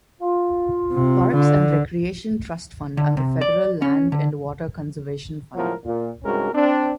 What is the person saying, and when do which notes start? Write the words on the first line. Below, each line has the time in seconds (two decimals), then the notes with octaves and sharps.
Parks and Recreation Trust Fund and the federal Land and Water Conservation Fund.
0.21 F4
0.93 C3
1.33 D3
2.97 D3
3.17 C3
3.41 D5
3.82 C#4
4.12 D3
5.54 C#2 A2 F3 F#3 E4 A#4
5.84 A#2
6.23 C2 G2 G#3 C#4 F#4 A#4
6.53 C4 D4